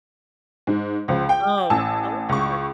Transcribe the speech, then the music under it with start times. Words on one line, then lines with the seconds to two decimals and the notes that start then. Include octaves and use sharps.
Oh, so hard.
0.67 G#2
1.08 C#2 F3
1.29 G5
1.70 A1 G#5 A5 E6
2.29 C#2 C#6